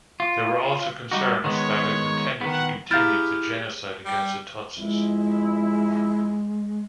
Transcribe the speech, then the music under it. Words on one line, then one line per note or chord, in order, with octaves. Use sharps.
There were also concerns that it intended to continue the genocide against the Tutsis.
F4
G3 D#4 F#4
D#3 G#3 B3 C#5
D#3 B3 F#5
E4 G4 G#4 F5 A#5 F6 G6 A6
G3
F2 G#3 E4